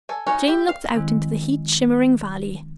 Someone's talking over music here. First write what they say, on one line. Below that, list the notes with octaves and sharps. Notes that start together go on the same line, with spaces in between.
Jane looked out into the heat-shimmering valley.
A4 G#5
C#4 D#4 F#4 C#5
G4 E5
F5
D#3 F3 G#3 C4 E4